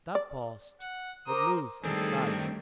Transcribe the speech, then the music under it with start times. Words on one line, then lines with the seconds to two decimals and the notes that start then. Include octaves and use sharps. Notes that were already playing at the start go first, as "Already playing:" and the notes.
"That post would lose its value."
0.15 D5
0.81 F#5
1.27 A#4 C5 A#5 D6 D#6
1.84 D#3 G3 A3 C4 D4 G#4 A4